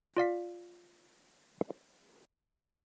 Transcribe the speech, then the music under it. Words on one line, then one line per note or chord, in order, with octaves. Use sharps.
Buildings can be destroyed if a monster directly attacks or is thrown into it.
F4 D5 F5 B6